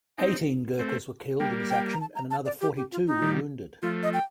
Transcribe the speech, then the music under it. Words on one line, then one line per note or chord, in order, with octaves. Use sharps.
Eighteen Gurkhas were killed in this action and another forty-two were wounded.
C4 D#4
A3 C4
G3 A#3 G5
G5
A#5
A5
A#5
A5
D5
G4
G4
F4
D#4
D#3 G3
F3 A3 F4
D#5
G5